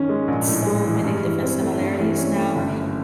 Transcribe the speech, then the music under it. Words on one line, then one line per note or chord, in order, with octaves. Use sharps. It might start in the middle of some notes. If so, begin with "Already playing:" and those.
so many different similarities now.
Already playing: F#2 D#3 C#4
G#3
A#1
A2
G#3
E3
G2
E3
C4
A3
G2
E3
C#4
A3
G1
F#2